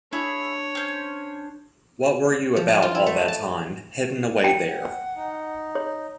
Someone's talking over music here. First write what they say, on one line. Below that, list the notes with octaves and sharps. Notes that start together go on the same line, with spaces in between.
What were you about all that time, hidden away there?
D4 E4 G#4 C#5 E5
C#4 C5
F3
A5
F4
E4
A3
A5
F#5 G5
D#4
C#5